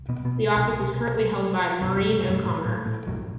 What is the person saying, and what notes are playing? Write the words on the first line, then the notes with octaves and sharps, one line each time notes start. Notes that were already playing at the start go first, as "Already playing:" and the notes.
The office is currently held by Maureen O'Connor.
Already playing: C2
B2 B3
B2 B3
C2 B2
C2 F#2 B2 F#3
F#2 F#3
F#2 F#3
A2 A3
A2 A3
A2 A3
B1 F#2 A2 F#3